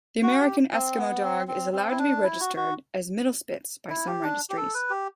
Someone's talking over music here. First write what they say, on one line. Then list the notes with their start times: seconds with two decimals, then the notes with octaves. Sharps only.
The American Eskimo Dog is allowed to be registered as Mittelspitz by some registries.
0.23 F#4
0.39 G4
0.72 C4
0.97 B3
1.23 C4
1.48 C4
1.72 C4
1.91 E4
1.98 D4
2.23 E4
2.40 F#4
2.56 F#4
3.90 E4
4.07 G4
4.23 D4
4.50 G4
4.57 A4
4.74 B4
4.90 G4